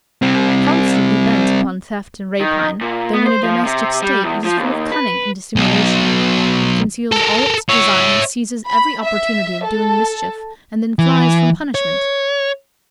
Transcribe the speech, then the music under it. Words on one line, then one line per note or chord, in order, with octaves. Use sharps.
Constantly bent upon theft and rapine, though in a domestic state, it is full of cunning and dissimulation: it conceals all its designs, seizes every opportunity of doing mischief, and then flies from punishment.
G3 C4
D#3
A#2
B3
C5
F3
C3
G3
E2
F3
D#2
B4
B1
A4 A#4
C#5 E5
B5
E5
A4
E3
C#5